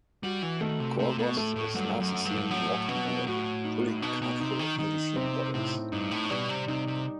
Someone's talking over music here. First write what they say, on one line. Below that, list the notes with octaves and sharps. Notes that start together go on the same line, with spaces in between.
Korgoth is last seen walking away, pulling a cart full of medicine bottles.
G3 F#4
E3
D#3 A3
C3
C3 A3
B2
A2 A3
A2
G2 F#3
F#2
F#3
G2
A2 F#3
B2 F#3
A2 F#4
D#4
B2 D#4
B2
C3 D#4
D#3
D#3 D#4
C3 C4
A2 C3
G2 D#4
A2
B2 G3
C3
C3 D#4
C3